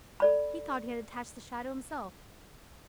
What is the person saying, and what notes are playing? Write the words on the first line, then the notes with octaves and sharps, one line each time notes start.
He thought he had attached the shadow himself.
A4 D5 B5